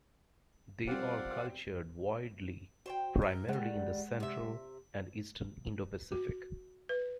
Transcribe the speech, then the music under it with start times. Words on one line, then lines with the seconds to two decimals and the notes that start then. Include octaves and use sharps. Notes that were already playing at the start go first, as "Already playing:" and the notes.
They are cultured widely primarily in the central and eastern Indo-Pacific.
0.87 F3 G3 C4 D5 F5 F#5
2.86 F#4 C5 C#5 G5
3.22 A#4
3.49 D#3 G3 G#3 F#5
4.20 C3 E5
6.12 F#4
6.89 B4